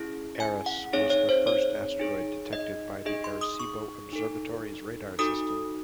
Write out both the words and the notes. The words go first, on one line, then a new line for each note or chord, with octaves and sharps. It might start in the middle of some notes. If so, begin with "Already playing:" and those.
Eros was the first asteroid detected by the Arecibo Observatory's radar system.
Already playing: C#4 E4 G#4
G#5
F#5
C4 D#4 G#4 C#5
C#5
C5
C#5
D#4 G#4
D#5
D#4 G#4 D#5
C6
D#6
C#6
D#4 A4
D#4 F#4 A4 D#6